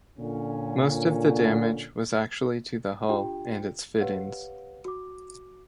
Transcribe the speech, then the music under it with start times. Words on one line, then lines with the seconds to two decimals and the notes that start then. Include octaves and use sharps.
Most of the damage was actually to the hull and its fittings.
0.18 A#2 D3 C#4
3.08 D4 F4 G4 G5
4.00 G4 B4 C#5 F5 F#5
4.85 F#4 D6